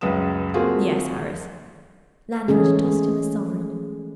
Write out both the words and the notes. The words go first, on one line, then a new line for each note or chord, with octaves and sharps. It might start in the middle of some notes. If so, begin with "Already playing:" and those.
"Yes, Harris." Lanyard tossed him a sovereign.
C#2 F#2 B4 D#6 E7
A3 A#3 C4 F4 F#4 G#4
E3 G#3 A3 C#4 G#4